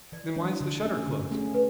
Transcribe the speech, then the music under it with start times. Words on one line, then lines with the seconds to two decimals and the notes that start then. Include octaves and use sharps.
"Then why's the shutter closed?"
0.12 E3 D5
0.36 G#3 D4 C#5
0.61 D3
0.83 A3 C#4 G#4
1.08 D3
1.31 A3 C#4 G#4
1.54 A3 B4